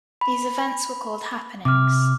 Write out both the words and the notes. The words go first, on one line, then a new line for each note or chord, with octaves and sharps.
These events were called "happenings."...
B5
C3 D6 F6